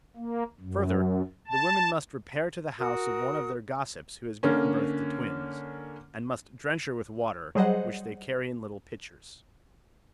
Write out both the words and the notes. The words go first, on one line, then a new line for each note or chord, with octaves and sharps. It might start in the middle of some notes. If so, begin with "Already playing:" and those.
Further, the women must repair to the house of one of their gossips who has given birth to twins, and must drench her with water, which they carry in little pitchers.
A#3
F#2
A5
F#4 A#4 D#6
D3 A#3 C#4
F#3 G3 G#4 C5 D#5 F#5